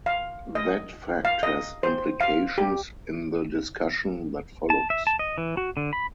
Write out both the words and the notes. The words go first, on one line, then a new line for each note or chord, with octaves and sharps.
That fact has implications in the discussion that follows.
F5
D#5
F5
D#5
C5
F5
G4
A5
E5
A5
D#5
E3
F#4
D3
B5